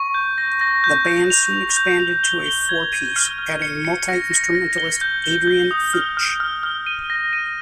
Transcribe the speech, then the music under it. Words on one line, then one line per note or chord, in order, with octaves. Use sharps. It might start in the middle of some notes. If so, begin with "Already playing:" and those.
The band soon expanded to a four-piece, adding multi-instrumentalist Adrian Finch.
Already playing: C#6
G6
A#6
A#6
G6
G6
F7
F7
G6
F7
G7
G7
G#6
D#7
F6
F6
C#7
C#7
A#6
A#6
A#6
G7
G6
G7
G6
D#6
F6
F6
F6
F6
D#7
A#6
D#7